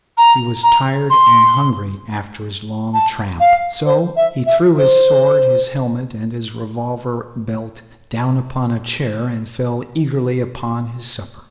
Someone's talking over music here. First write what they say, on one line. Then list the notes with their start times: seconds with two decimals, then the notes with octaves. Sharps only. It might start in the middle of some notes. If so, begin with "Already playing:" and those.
He was tired and hungry after his long tramp, so he threw his sword, his helmet, and his revolver-belt down upon a chair, and fell to eagerly upon his supper.
0.18 A#5
0.63 A#5
1.10 C6
2.94 A5
3.40 F5
3.86 C5
4.17 E5
4.47 E5
4.78 C5